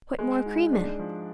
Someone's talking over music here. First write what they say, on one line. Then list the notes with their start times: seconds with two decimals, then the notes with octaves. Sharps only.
Put more cream in.
0.19 G#3
0.46 G#2
0.73 D4
0.99 F3